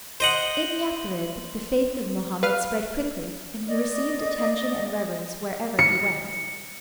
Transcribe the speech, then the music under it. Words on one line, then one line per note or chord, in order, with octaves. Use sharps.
In Yathrib the faith of Mohammed spread quickly and he received attention and reverence wherever he went.
C5 D#5 F#5
B4 F5 F6
D5 D#5
C#7